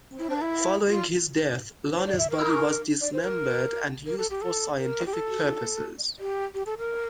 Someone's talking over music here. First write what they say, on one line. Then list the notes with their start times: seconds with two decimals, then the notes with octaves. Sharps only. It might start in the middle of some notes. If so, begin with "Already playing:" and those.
Following his death, Lanne's body was dismembered and used for scientific purposes.
0.19 E4
0.30 D4
0.41 E4
0.89 F4
1.95 C5
2.07 D5
2.18 E5
2.31 A#4
3.01 D5
3.13 C5
3.24 A#4
4.06 A#4
4.19 A4
4.31 G4
4.42 A4
4.78 A#4
5.06 G4
5.13 A4
6.20 G4
6.54 G4
6.66 A4
6.78 A#4